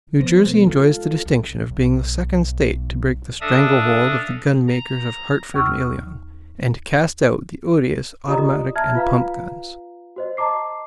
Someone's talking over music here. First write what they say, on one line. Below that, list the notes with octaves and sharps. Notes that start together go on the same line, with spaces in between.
New Jersey enjoys the distinction of being the second state to break the strangle-hold of the gun-makers of Hartford and Ilion, and cast out the odious automatic and pump guns.
F3 B3 C5 A#6
B2 A3 B3
G#3 D#4 F4 A4
C2
B1
D4 A4 E5 F5 D#6 A#6
A#5
D#2 C#6 E6 F6
F4 G4 D5 D#5 A#5 D#6
E5 A5 A#5 F6 G#6
F4 B4 F5 A#5
F#4 C5 D#5
D#5 A5 A#5 D6 C7